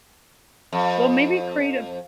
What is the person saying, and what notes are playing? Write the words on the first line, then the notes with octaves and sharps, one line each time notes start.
Well, maybe create a
F2